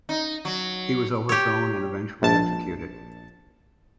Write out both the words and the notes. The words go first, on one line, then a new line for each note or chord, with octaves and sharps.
He was overthrown and eventually executed.
D#4
F#3
G4 C#5
A#1 A5